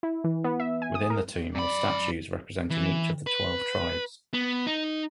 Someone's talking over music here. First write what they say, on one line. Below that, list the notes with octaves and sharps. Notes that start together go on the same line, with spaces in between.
Within the Tomb were statues representing each of the Twelve Tribes.
E4
E3
B3
E5
G#5
D#6
A#4
F#2 D5 B5
E3
B4
B3
D#4